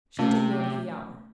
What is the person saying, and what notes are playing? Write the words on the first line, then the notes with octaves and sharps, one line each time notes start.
She took note of the hour.
C3 A3 C#4 F4